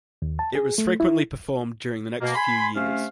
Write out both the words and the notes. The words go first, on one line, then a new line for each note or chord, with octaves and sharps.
It was frequently performed during the next few years.
D#2
A5
G#4
A3
E4
B2 A#3
G#5 B5 C6
C3 A3 C#4 F5